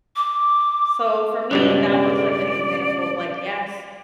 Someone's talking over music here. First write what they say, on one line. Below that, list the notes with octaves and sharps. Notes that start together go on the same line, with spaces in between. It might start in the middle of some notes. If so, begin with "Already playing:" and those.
so for me, that was like the example of, like, "Yes,"
D6
C#2 G2 B2 C#4 D5